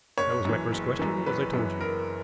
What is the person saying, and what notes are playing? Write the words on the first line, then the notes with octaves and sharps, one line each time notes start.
That was my first question, as I told you.
F#1 C#5
F#2 E3
F#1
F#2 E3
F#1 B4
F#2 E3
F#1 A#4